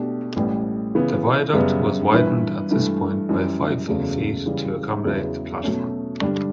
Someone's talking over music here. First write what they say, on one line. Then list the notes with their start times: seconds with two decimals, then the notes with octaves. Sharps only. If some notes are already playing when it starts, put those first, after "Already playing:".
The viaduct was widened at this point by five feet to accommodate the platform.
Already playing: B2 A3 D4 G4
0.36 A1 A2 E3 G3
0.95 C#3 E3 B3
1.54 F#2 C#3 G3 B3
2.12 G2 E3 B3 E4 B4
2.71 G2 E3 A3
3.29 F#2 E3 G3
3.88 F#1 E2 C#3 F#3 A3
4.46 C#3 E3 G3
5.04 E2 C#3 F#3 B3 E4
5.63 B2 F#3 A3 C#4
6.22 G2 D3 G3 D4 G4